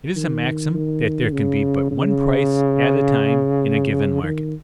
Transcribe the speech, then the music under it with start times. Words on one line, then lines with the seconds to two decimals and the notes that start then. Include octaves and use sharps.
It is a maxim that there can be but one price at a time in a given market.
0.16 D#3
0.74 D#3
1.32 C#3
1.91 C#3
4.23 D#3